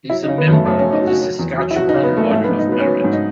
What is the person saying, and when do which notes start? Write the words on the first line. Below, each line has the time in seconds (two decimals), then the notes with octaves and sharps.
He is a member of the Saskatchewan Order of Merit.
0.10 F#3 E4
0.24 D#4
0.28 C#3
0.38 B3
0.48 F#2 A3
0.65 F#2 A3
0.79 C#4
0.83 F#2
0.93 D#4
1.02 F#3
1.07 F#4
1.21 F#3
1.39 E2
1.57 F#3
1.71 E4
1.76 F#3 F#4
1.89 D#4
1.94 C#3
2.03 B3
2.13 F#3 A3
2.30 G#2 A3
2.44 B3
2.49 G#2
2.59 D#4
2.67 F#3 B3
2.80 C#4
2.86 F#3 B3
3.00 C#4
3.04 G#2
3.13 D#4